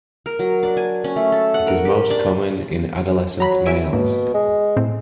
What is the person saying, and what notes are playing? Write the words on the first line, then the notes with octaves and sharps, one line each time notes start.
It is most common in adolescent males.
A#4
F#3
D4
G#5
C#4
A3
A4
F#5
A#4
G4
D4
F#3 A#5 B5
E5 G#5 D7
G#2 B2 A#3
G#3
A2 C4